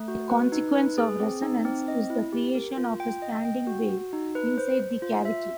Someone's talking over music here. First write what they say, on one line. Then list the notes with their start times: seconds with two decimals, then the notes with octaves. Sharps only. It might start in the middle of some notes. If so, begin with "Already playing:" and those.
A consequence of resonance is the creation of a standing wave inside the cavity.
Already playing: A3
0.08 F#4
0.30 B4
0.52 D#4
0.75 B4
0.98 G#4
1.20 C4
1.42 D#4
1.65 C4
1.88 D#5
2.10 E4
2.33 G4
2.55 A#4
2.78 F4
3.00 G5
3.22 D#5
3.45 G5
3.67 F#4
3.90 F#4
4.13 D#4
4.35 B4
4.58 C5
4.80 C5
5.02 F4
5.25 E5